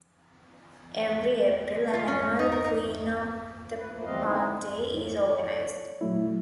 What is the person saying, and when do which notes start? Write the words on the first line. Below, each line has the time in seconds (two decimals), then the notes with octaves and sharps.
Every April, an annual "Clean Up the Park Day" is organised.
1.93 F4
2.08 C#4
2.39 D#4
2.52 A#4
2.64 D#4
3.77 B4
3.91 D2 F3 A3 A#3
4.05 E2 E3 G3 C4 D#5 F5
4.24 D3 G#3 A3 C4 D#4 E4
5.29 A4 C#5 D5
6.01 A#2 F#3 A3 E4